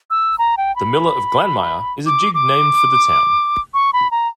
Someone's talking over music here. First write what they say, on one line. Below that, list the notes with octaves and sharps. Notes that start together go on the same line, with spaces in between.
"The Miller of Glanmire" is a jig named for the town.
E6
A#5
G5
B5
D6
D6
C#6
B5
A#5